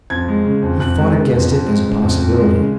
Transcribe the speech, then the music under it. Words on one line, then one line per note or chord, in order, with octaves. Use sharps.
He fought against it as a possibility.
F2 G#6
G#3
C#3
F2
F2 F#6
G#3
C#3
F2
F2
G#3
C#3
F2
F2
G#3
C#3